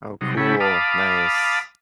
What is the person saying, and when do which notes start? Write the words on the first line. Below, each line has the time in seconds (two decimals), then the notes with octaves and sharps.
Oh, cool. Nice.
0.21 C3 F#3 G3 D#4
0.37 C#3 A3 C#4 E4 G4 B5
0.60 F5 A5 B5 D6 D#6